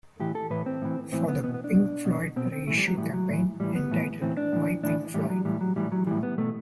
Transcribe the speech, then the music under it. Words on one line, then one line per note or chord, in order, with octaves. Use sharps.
For the Pink Floyd reissue campaign entitled Why Pink Floyd...?
A2 E3 G4
A4
A2 E3 B4
C4
A2 E3
A2 E3 C4
B3
B2 B3
B3
D4
B2
B2
B2 C4
C4
A2 E3 A3
G3
F#3
A2 E3 G3
F#3
A2 E3
A2 E3 G3
B3
A2 E3
A2 E3 C4
D4
A2 E3
A2 E3 D4
A2 E3 G3
F#3
A2 E3 G3
F#3
A2 E3 G3
F#3
A2 E3 G3
B3
B2 A3